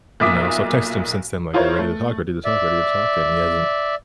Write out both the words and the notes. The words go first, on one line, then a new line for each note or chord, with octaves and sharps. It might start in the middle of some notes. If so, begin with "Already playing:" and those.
you know, so, I've texted him since then, like, "Are you ready to talk? Ready to talk? Ready to talk?" and he hasn't
B1 A#2 E5 D6 D#6 B6
E4 F4 A#4 C5 C#5
A3
D5 E5